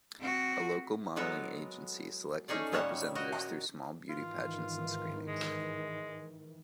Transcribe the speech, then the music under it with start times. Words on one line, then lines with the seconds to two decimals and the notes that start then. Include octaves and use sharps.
A local modelling agency selected representatives through small beauty pageants and screenings.
0.20 C4 F#4
1.16 F#3 G#3 B3 A4 A#4
2.48 A3 C#4 D#4 G#4 A4 D5
2.72 A#2 D#3 G3 C#5 F#5 A5
3.15 F#4 A#4 D#5
4.10 G#2 D#3 E3 F4
5.28 G#3